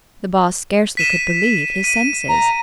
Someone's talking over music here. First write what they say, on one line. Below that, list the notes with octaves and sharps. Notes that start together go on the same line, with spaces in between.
The Boss scarcely could believe his senses.
B6 D#7 E7
D#7
A#5